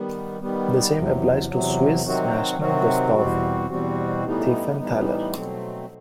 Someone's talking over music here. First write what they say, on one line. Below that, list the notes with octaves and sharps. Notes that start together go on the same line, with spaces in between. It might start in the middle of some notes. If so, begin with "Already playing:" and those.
The same applies to Swiss national Gustav Thiefenthaler.
Already playing: D#3 G3 B3
D#3 G3 B3
E2 C3 F#3
E2 C3 F#3
C3 D#3 F#3 C4 F#4
C3 D#3 F#3 C4 F#4
E2 B2 G3 C4 F#4
E2 B2 G3 C4 F#4
A2 E3 G3 B3 D#4
A2 E3 G3 B3 D#4
B2 F#3 A3 C4